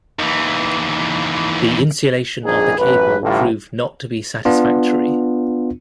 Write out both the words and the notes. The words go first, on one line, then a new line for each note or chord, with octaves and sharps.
The insulation of the cable proved not to be satisfactory.
D#2 E3
A#1 F2 D#4 G#4
A1 F#2 B4
A1 A2 D3 G3 F4
B3 D4 F4